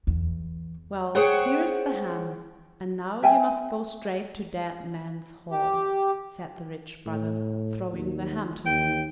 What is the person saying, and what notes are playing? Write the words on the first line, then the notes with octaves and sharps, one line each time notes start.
"Well, here is the ham, and now you must go straight to Dead Man's Hall," said the rich brother, throwing the ham to him.
E2
G#4 C5 C#5 F#5 G5
E5 G5 G#5
G4
A2
D#2
D#2 G5